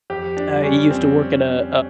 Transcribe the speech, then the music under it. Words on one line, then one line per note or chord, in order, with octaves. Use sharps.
I used to work at a
F2 G4
D4
D3 G3
C#4
F2 C4